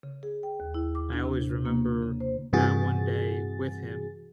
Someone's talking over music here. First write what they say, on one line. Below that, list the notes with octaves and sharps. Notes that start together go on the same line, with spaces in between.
I always remember that one day with him.
C#3
G#4
G5
D#2
E4
D6
D4
C3
C3
A#3
C#3
C5
G2 C3 E3 F#4 G#4 A6